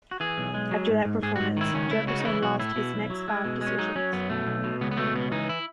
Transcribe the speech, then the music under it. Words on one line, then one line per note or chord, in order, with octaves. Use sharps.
After that performance, Jefferson lost his next five decisions.
F#4
E3 G#4
B1
G#3
F#3
G#2
G#2
G#2 G#4
G#2 F#4
D#3 E4
C#2 C#4
C#2 E4
C#3 F#4
D#4
E3 E4
B1 F#4
A2 E4
B2
B1
F#3
G#3
B2
G#3
C#4
F#3 D#4
F#3 C#4
F#2 B3
B2 A3
B1
B2
C#2 B3
B3
B2 A3
C#2 B3
E3 D#4
E4